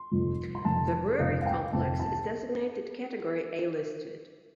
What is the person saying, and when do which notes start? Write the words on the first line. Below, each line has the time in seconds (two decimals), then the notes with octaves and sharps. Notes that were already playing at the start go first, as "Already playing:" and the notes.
The brewery complex is designated Category A listed.
Already playing: C6
0.11 F1 F2 F3
0.55 C6
0.65 F1 F2 F3 A5
1.19 F1 F2 F3 C4 F5
1.41 F5
1.46 G5
1.73 F1 F2 F3 C4 A5
2.00 A5